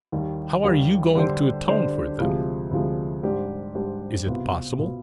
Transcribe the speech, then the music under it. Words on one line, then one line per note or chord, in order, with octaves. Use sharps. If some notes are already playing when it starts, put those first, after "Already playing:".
How are you going to atone for them? Is it possible?
D#2 D#3 G3
D#2 D#3 G3
D3 G3 D4 G4 C5
D3 G3 D4 G4 C5
D2 C3 F3 G#3
D2 C3 F3 G#3
G#2 G3 D4 G4 C5
G#2 G3 D4 G4 C5
C2 B2 B3 F4
B2 B3 F4